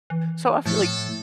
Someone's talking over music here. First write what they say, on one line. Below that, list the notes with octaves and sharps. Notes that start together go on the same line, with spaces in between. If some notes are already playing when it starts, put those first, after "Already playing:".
so I feel like, you
E3
A2 F3 A4